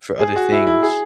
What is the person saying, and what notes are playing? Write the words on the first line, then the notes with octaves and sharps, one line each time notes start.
for other things,
G#4
F#4
E4
E4
G#4